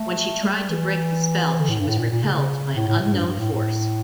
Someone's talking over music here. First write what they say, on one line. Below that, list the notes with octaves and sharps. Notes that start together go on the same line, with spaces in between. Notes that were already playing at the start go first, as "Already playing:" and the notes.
When she tried to break the spell, she was repelled by an unknown force.
Already playing: A3
G3
G3
E3
D3
A2
G2
A2
A#2
A#2
C#3
C#3
A2
A2
A2
G2
G2
A2
A2